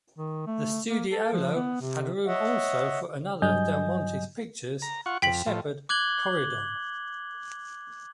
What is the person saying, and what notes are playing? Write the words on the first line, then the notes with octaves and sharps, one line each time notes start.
The studiolo had room also for another of Del Monte's pictures, the Shepherd "Corydon".
D#3
A3
A#3
A4
F3
B3
C3
C#5 D#5 E5 F#5
G2 F#3 D#5 G#5 G6
A#5
F4 F#5 C#6
F2 G5 B6 F#7
A2 F3
D6 F#6 G#6 F#7 G7